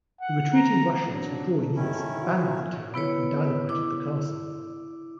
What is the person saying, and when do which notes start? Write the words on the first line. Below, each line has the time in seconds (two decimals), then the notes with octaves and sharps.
The retreating Russians, withdrawing east, abandoned the town and dynamited the castle.
0.21 F#5
0.54 A#5
1.10 G#1 F#3 D4
1.76 D#2 D#3 C#4 E4 A4
2.21 F4 F#4
2.94 B3 E4 B4 C#5
3.69 E4 D6